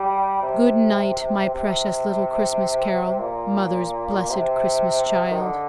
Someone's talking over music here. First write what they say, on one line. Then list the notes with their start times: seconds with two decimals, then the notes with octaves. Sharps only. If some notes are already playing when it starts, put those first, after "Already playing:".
"Good night, my precious little Christmas Carol--mother's blessed Christmas child."
Already playing: G3
0.42 C3
1.54 C3
3.19 A#2
4.30 C3
5.31 D#3
5.41 D3